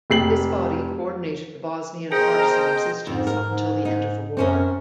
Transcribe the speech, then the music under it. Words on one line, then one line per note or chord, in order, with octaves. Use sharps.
This body coordinated the Bosnian partisan resistance up until the end of the war.
F1 G4 C7 F#7
B2 G#4 A#4 C5 D#5 G5
F2 G#2
A#4
G#2
D#4
F#2 C4 C#4 A#4